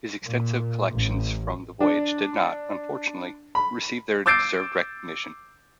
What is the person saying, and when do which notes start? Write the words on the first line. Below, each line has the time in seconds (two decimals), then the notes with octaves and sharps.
His extensive collections from the voyage did not, unfortunately, receive their deserved recognition.
0.24 A#2
0.96 A1
1.81 D4
3.55 B5
4.26 D6 E6 G6 A6 C7 D7